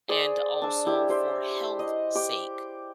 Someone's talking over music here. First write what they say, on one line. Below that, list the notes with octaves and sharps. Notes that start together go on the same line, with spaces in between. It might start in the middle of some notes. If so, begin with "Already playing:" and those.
and also for health sake
G#4 C5 D5
D4 E6
E4 G4
G4 C5 E5
D#5
G4 D6